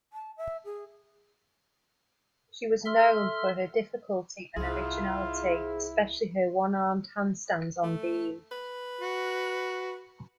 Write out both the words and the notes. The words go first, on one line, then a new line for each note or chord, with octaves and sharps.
She was known for her difficulty and originality, especially her one-armed handstands on beam.
A5
E5
G#4
A4 E5 C6 F6
C2 G#2 E4 F4 G#4
A3
B4
F#4